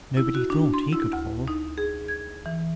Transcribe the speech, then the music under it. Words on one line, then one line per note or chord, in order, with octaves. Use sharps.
Nobody thought he could fall.
E4
F#4
D4
C6
E4
D2
D#4
G#4
G#6
E3